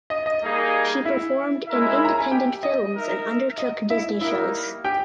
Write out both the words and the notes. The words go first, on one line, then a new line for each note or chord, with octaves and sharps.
She performed in independent films and undertook Disney shows.
D#5
D#5
G3 A#3 D#4 G#4
E4 E5
G#3 C#4 E4 A#4 E5
B5
A#5
G#5
G4 G5
D#5
D#4 A#4 E5
D#5
E4 E5
G3 A#3 D#4 E4 A#4 E5
G4 G5